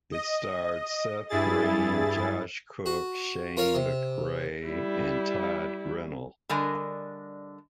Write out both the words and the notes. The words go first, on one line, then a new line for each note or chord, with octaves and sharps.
It starred Seth Green, Josh Cooke, Shane McRae, and Todd Grinnell.
D#5
G2 E4 G#4 A6
F#4
F4 A#4 C#5 F5
C3
G3 E4
D3 G3 D4 A#4 D#5 G#5